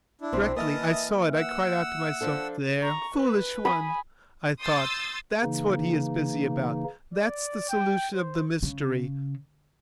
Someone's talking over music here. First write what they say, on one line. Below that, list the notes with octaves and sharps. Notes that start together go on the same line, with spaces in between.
Directly I saw it I cried out to myself: 'There, foolish one,' I thought, 'that's what he is busy about; that's the solution of the mystery!
D4 E4
B1 C3 C4 G4
E3 A#3 D#5 E5 A5 D#6 F6
F#5 E6
F3 D4 A4
A#5 C#6
B4
G#5 B5 D#6
C6 D#6 E6 G6 A6
C#3 E3 A#3 D#4
D5
G5
C5
C#3